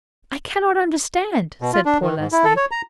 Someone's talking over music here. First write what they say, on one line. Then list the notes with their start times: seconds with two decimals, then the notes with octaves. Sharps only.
"I cannot understand," said poor Leslie.
1.62 B2
1.73 F4
1.85 D4
2.02 D#3
2.18 G#2
2.32 E4
2.45 A4
2.57 C#5
2.71 A#5